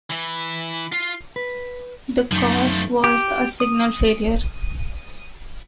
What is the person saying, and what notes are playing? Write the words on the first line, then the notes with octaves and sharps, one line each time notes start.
The cause was a signal failure.
E3 E4
F4 F5
B4
F#2 F3 A3 D#4
G4
D#6